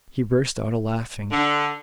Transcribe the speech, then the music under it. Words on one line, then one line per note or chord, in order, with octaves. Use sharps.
He burst out a-laughing.
D3